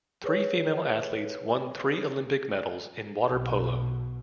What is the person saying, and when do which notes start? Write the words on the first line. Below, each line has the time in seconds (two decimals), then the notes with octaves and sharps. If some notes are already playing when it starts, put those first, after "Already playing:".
Three female athletes won three Olympic medals in water polo.
0.24 G#4 B4 C#5
3.29 B1 B2